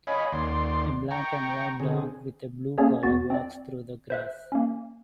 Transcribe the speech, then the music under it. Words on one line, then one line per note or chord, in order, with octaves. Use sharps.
A black and white dog with a blue collar walks through the grass.
C#5 D#5 F5 G#5 B5
D#2 D5 C6
G5 A#5 C#6
D3 C4 G#4
A#3 C#4 G#4 C#5 D5
E2 B3 F#4 A6
C4 D5
C5 E5 F#6
A#3 C#4